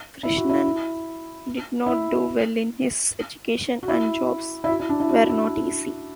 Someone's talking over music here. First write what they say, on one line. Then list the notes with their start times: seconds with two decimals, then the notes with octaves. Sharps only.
Krishnan did not do well in his education and jobs were not easy.
0.23 E4
0.37 F#4
0.49 E4
1.86 E4
3.83 F#4
3.88 E4
4.64 E4
4.68 F#4
4.80 E4
4.89 D4
5.00 E4
5.09 F#4
5.29 E4